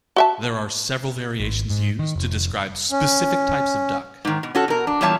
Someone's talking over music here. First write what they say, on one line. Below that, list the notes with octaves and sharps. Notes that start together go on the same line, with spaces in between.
There are several variations used to describe specific types of duck.
F#4 E5 A5
G#1
G#2
D#3
F1
C#4
G#2 D#3
B2
C#4 F#4 A4
B2 A#4
D4
E2 A#2 G3 C#5 E5 A5